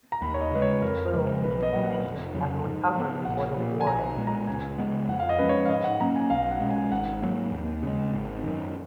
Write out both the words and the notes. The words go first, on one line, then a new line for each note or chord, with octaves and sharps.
He flew only two more missions after recovering before the war ended.
A#5
D#2 B5
C#5
D#5
C#3 G#3 B4
C#5
F2 A#4
C#3 F3 G#3
B1 B4
D#5
A#2 F#3
F#5
F1
F2 C#3 F#3
G#2
F3 G#3 B3
A#1 F#5
A#2 F3
G#5
B1 A#5
A#2 G#3 B3
A#5
C#2 G#5
C#3 G#3 B3
F2 F#5
F5
D#5
F3 G#3 C#4 B4
C#5
F5
G#2 D#5
F#5
F#3 A#3 C#4 A#5
G#5
B1 F5
F#5
B2 G#3 C#4
G#5
G#1 F#5
G#2 F#3 A#3
D#2
C#3 G#3
G#1
F#2 D#3